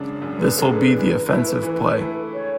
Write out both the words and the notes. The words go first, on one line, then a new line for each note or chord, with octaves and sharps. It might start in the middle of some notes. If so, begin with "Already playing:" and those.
This will be the offensive play.
Already playing: F#2 C#3 G#3 D4
F#2
B4
C#3 G#3 D4 A4
B4
E3
A3 E4
E3
A3 E4
C#5